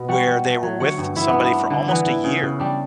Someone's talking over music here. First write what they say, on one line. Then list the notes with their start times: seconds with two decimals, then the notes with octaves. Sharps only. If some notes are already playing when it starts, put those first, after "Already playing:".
where they were with somebody for almost a year,
Already playing: B2 B3
0.08 G3 F#4 F#5
0.27 G3
0.45 A3
0.63 F#3
0.80 D3 F#4 F#5
0.98 G2
1.16 B3 E4 E5
1.28 B3 B4
1.34 D4
1.41 B3 B4
1.53 D4
1.70 D3
1.88 E3 B3 B4
2.06 E4
2.24 C#3
2.43 C#3
2.60 G3 D4 D5